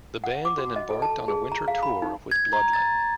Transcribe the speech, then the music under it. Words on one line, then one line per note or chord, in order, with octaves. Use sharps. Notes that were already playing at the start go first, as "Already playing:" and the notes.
The band then embarked on a winter tour with Bloodlet.
F#5
D6
F#4
D#5
A4
A5
G#4
A#5
F5
B5
D#4
G#6
A#5
A6